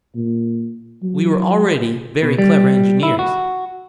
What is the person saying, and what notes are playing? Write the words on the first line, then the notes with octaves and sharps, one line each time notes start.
We were already very clever engineers.
A#2
F#3
B2
G3
E4
F#4